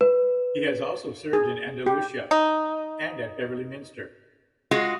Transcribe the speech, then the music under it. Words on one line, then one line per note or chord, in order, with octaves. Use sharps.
He has also served in Andalucia and at Beverley Minster.
B4
G#4
G4
D#4
G#3 F4 F#4